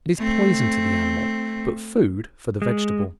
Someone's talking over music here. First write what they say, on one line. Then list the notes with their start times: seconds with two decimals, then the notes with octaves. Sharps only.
It is poison to the animal, but food for the vegetable.
0.17 A3 C4
2.62 G#3